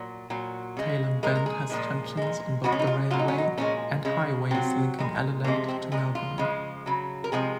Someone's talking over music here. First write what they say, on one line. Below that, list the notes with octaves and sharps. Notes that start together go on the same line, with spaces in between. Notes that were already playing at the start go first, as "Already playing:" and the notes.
Tailem Bend has junctions on both the railway and highways linking Adelaide to Melbourne.
Already playing: A#2 F#3
A#2 F#3
C#3 G#3
A#2 G#3 A#4
A#4
G#4
A#2 F3 G#3
A#2 G#3
C#3 F3 G#3 F#4
C#4
D#4
F4
A#2 F#3 F4
D#4
C#4
D#4
A#2 F3 G#3 C#4
C#3 G#3
C3 F#3 C4
A#2 G#3
C3 F3 G#3 A#3
C4
A#2 G#3 G#4
F4
C#3 F3 G#3
C#3 F#3
A#4
C3 F3 G#3 G#4